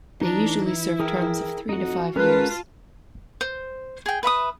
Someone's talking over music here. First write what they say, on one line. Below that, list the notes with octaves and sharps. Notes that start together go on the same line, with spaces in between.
They usually served terms of three to five years.
E3 D4 D#4 A#5
E4
G#4 A#4 G5
F2 D#4 F#4 F#5
G#3 C#4 F4 A#4 B4 A5
C5
G#4 G5
B4 E5 B5 D#6